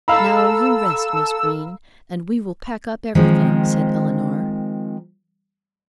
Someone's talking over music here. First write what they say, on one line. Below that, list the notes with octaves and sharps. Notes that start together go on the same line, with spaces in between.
"Now you rest, Miss Green, and we will pack up everything," said Eleanor.
A4 F5 A#5 B5 E6
D#3 F3 G#3 C4